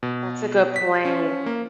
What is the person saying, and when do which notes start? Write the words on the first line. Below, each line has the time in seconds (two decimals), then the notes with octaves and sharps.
That's a good point.
0.03 B2
0.76 B6
1.05 C#4
1.46 A#3